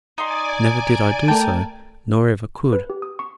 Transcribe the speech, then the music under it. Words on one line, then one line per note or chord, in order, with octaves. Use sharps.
Never did I do so, nor ever could.
D#4 D5 G#5 C6 D6
A3 A#4 G5 A5
B4
G4
D#6
C#6